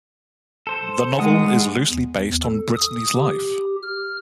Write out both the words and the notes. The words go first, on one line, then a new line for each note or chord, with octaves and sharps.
The novel is loosely based on Britney's life.
A4 C5
D#3 G#3 A3 F#5 D#6
E2
A4
D#6
G4
F6